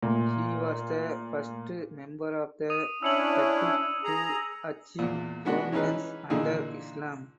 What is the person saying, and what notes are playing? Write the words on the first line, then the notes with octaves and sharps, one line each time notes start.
He was the first member of the Thaqif to achieve prominence under Islam.
A#2 A3
D#6 D#7
C#4 D4 E4 E6 C#7 F#7
G#4 A#5
E2 A#2
G#3 B3 D4 F#4
E3 C#4 D#4 G#4 B4
A#2 D3 E3 D#4 G#4